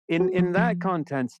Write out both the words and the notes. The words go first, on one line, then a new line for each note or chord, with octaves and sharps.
in in that contents
F#4
F3
F3